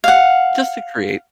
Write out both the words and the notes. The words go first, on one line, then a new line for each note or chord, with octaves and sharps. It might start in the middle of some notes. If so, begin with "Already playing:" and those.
Just to create.
F5 F#5